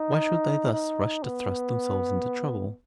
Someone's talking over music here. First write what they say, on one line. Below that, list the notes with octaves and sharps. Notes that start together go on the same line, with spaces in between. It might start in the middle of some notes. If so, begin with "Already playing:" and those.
Why should they thus rush to thrust themselves into trouble?
Already playing: D#4
D#4
B3